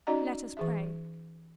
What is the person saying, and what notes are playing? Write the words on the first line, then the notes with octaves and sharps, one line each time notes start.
"Let us pray."
C#4 D#4 F#4 D5 D#5 A#5
E3 G#4 E5